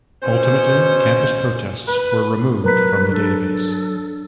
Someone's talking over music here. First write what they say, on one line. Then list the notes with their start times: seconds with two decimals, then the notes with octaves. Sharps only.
Ultimately, campus protests were removed from the database.
0.23 B2 C#4 C5
1.88 B4
2.64 F#3 A#4 B4 A#5 B6
3.12 D4 A4